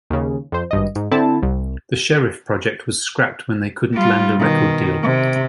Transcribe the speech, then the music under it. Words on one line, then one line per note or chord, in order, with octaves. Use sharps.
The Sheriff project was scrapped when they couldn't land a record deal.
D#2 C#3
F2 C5
G#1 G2 D#5
G#2
D3 C4 E4 A5
C2
G3 F4
B2 D#3
C3